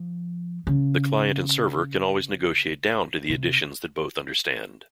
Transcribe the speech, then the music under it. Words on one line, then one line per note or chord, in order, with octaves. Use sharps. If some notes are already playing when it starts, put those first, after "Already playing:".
The client and server can always negotiate down to the additions that both understand.
Already playing: F3
C#3
C3